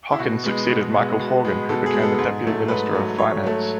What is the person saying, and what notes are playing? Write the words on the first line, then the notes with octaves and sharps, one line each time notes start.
Hockin succeeded Michael Horgan who became the Deputy Minister of Finance.
E4
B2 F#4
G#3 B3
B2
G#3 B3
B2
G#3 B3
B2 A4
G#4
G#3
B3 A4
G#2
F#3 A3
G#2 B4
F#3 A3
G#2 C#5
F#3 A3